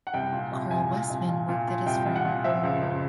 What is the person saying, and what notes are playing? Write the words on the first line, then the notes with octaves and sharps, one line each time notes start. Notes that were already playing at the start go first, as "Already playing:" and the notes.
Carl Westman worked at his firm.
F#5
C2 G5
A#2
C2
C2 G#5
A#2
C2
A#2
A#2
A#2
C2 G5
C2
F#5
A#2
F3 E5
C#2
C#2